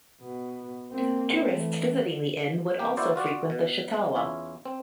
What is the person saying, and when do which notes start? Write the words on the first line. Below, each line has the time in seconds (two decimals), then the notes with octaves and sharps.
Tourists visiting the Inn would also frequent the Chautauqua.
0.21 B2
0.92 A#3 C4
1.48 E3 A3
2.79 C3 E3 A#3 G4
2.97 A#3 E4 F#4 C5 D5
3.16 F4 F#4 D5 F#5
3.50 B2
4.15 E2 C#4 E4 F4 E5
4.66 C4